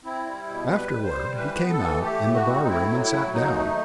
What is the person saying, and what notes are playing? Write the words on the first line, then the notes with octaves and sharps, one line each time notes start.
Afterward he came out in the bar-room and sat down.
C4 E4
G3
B2
G3 B4
G3
C5
G3
E3 B4
B3
A4
E3
A3 G4
A2
F#4
C4
D#4
A2 E4
F#3
E4
F#3
D#2 D#4
A3